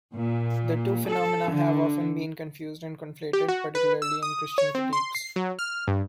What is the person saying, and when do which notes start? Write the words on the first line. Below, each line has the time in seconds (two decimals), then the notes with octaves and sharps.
The two phenomena have often being confused and conflated, particularly in Christian critiques.
0.13 A#2
1.07 A4
1.52 D3
3.33 G4
3.48 F#4
3.75 B4
4.02 E6
4.23 D#6
4.58 C#5
4.75 C4
4.93 C6
5.15 C7
5.36 F#3
5.59 F6
5.88 G2